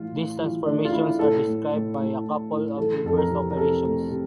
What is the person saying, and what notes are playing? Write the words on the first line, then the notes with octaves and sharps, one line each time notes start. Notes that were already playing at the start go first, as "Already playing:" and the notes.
These transformations are described by a couple of reverse operations.
Already playing: A2 E3 F4
A2
E3 F4
A3 D4
F4
A3 E4
A2 A4
A2
A2
A2
A2
A2
E3 A4
F2 A4
A#4
C3
A#4
C3 A4
A3
C3